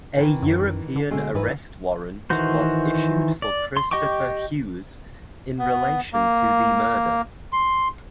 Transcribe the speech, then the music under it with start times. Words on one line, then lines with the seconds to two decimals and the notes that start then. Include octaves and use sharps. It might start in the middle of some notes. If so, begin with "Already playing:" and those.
A European Arrest Warrant was issued for Christoper Hughes in relation to the murder.
0.17 D#3 E3
0.42 F#2
0.96 D3
1.10 B2 G#3 A3
1.35 G#2 E3 D#4 B4
2.30 D#3 E3 F#4 C5
3.42 D5
3.77 C6
3.91 G4 D#5 G5 C#6 D6
5.58 B3
6.13 A#3
7.53 C6